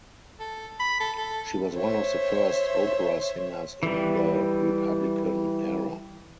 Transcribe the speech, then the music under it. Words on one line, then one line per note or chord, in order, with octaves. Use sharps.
She was one of the first opera singers in the Republican era.
A4
B5
A4
A4
C5 C#5 E5
E3 G3